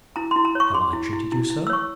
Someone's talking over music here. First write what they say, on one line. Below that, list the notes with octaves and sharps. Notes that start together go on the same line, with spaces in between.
"Have I treated you so?"
E4 A#5
C6
E4
A#5
C#5 C#6
G#4 C6
E4
E4
E4
E4
E6
C#5 C#6